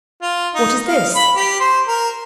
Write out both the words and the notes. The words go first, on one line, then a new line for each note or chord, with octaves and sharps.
"What is this?"
F4
D#4
F5
B5
G4
C5
A#4